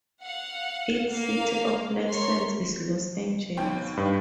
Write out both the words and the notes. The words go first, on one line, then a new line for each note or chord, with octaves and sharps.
Its city of license is Los Angeles.
F5 F#5
A#3 F5
A#4 C#5 C6
D#2 B2 G5
G2